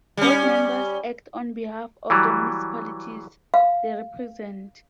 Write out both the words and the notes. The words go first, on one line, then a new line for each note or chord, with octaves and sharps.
Board members act on behalf of the municipalities they represent.
G3 C#4
E3 F#3 G3
F5